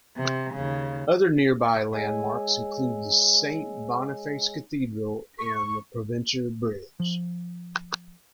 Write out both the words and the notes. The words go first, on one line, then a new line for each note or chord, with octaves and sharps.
Other nearby landmarks include the Saint Boniface Cathedral and the Provencher Bridge.
C3
D#2 C#3
G#3 G#4 C#5 D#5 G#5 E6
C#6
F3